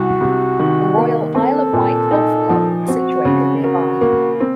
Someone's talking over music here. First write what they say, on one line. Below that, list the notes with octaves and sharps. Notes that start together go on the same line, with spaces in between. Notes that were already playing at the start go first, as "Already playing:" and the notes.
The Royal Isle of Wight Golf Club was situated nearby.
Already playing: C2 F#4
C3
D#3
A#3
C4 A4
A#2
D#4
F3
C4 F#4
C#3
F#4 A#4
A#3
C4